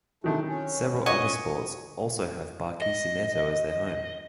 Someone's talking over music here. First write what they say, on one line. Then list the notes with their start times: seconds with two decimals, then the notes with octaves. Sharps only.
Several other sports also have Barquisimeto as their home.
0.24 C3 D#3 E3 F#3 A3
0.48 C#4
1.06 F4 B4 C#5 D#5 F#5 D#6
2.82 D#5